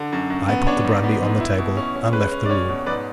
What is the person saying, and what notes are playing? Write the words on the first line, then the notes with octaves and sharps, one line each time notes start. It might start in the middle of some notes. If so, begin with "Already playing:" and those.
I put the brandy on the table and left the room.
Already playing: D3
F#2
F#2
B3
D4 C#5
G#2
B3
G#2
E4
B2
C#4
C#4
G#3 B4
C#4
D5
C#4 C#5
B2
G#2 B4 D5